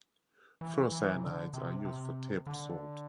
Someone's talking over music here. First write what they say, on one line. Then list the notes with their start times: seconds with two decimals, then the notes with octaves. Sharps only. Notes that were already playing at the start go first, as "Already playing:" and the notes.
Ferrocyanides are used for table salt.
0.61 E3
0.92 E3
1.15 C3
1.23 D3
1.54 C3
1.85 C3
2.47 D3